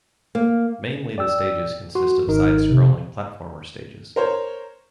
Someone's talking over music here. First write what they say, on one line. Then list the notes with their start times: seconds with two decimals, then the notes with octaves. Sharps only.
Mainly the stages consist of side-scrolling platformer stages.
0.35 A#3
1.18 D5 G5 E6
1.95 F#4 C6
2.28 G#1 D#4 A#4
2.70 C3
4.16 A#4 C5 C#5